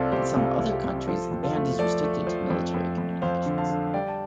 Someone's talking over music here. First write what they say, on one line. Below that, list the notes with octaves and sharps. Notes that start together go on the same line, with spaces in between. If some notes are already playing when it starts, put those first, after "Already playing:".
In some other countries, the band is restricted to military communications.
Already playing: C2 C3 F4 A4 C5 D5
C2 G4 C5
C2 F4 A4
C2
G4
C2
F3 F4 A4
F2
F4 A4
A3
F3 A4 D5
A3
F3
F2
F2
F2
F2 C5 F5
D3
F5 A5
D3
F5
G3 D5 G5
A5